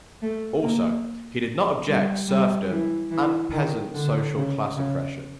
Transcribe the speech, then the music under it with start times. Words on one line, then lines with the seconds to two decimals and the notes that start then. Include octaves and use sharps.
Also, he did not object serfdom and peasant social class oppression.
0.22 A3
0.63 A#3
1.87 G3
2.28 G3
2.69 E3
3.11 E3
3.52 D#3
3.94 D3
4.35 C#3
4.76 C#3